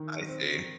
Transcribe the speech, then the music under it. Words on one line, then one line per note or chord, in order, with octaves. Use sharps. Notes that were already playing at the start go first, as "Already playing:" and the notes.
I see.
Already playing: D#3
C4